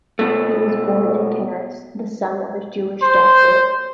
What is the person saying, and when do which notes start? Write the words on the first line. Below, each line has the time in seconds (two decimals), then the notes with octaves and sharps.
He was born in Paris, the son of a Jewish doctor.
0.19 B2 A3
3.02 C5